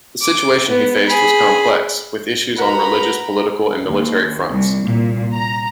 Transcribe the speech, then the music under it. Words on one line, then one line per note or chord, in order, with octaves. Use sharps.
The situation he faced was complex, with issues on religious, political and military fronts.
D6
B3
G#4 B5
F#4 A#4 B4 F#5 A#5 B5
D#2
C2
A#2
A#5